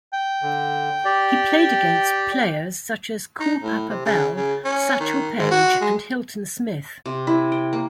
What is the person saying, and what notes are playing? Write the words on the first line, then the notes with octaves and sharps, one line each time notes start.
He played against players such as Cool Papa Bell, Satchel Paige, and Hilton Smith.
G5
D3
G4 D5
D#4
A2
C3
C#3
C#3
C#4
D#3
G#2
F#4
G#3
C3
E4
G5
A#3